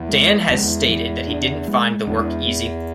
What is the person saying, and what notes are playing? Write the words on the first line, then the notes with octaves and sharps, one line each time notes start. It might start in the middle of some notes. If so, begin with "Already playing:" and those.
Dan has stated that he didn't find the work easy.
Already playing: E2 B3
G#3
E2 G#3
F#2
E2
E3
D4
G#3
E2 D4
B3